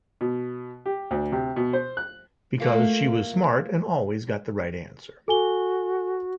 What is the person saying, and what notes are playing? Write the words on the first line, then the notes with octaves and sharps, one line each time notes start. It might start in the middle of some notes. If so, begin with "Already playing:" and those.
Because she was smart and always got the right answer.
B2
G4
D2
C3
B2
C5
F#6
A3 A#3 F4
F#4 A4 G#5 G7